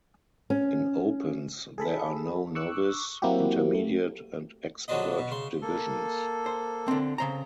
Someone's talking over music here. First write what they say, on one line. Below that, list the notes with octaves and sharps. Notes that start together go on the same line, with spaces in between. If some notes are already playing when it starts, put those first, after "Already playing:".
In Opens there are no Novice, Intermediate and Expert divisions.
C#4
G#4 A4 B5
C#6 D6 E6 F#6
F#3 A#3 C4 E4 F#4 G4
A3
A#1 D3 F#3 C4 D4 D#5
B2
C#3 C6
A#3 A4
C5
D3 C4
C#3 C5 A#5